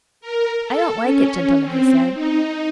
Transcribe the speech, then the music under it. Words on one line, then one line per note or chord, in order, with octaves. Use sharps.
'I don't like it, gentlemen,' he said.
A#4
A4
C#4
C4
D#4